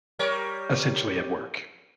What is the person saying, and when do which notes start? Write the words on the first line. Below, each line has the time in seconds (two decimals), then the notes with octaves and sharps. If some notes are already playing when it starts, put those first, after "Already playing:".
essentially at work.
0.19 G3 A#4 C#5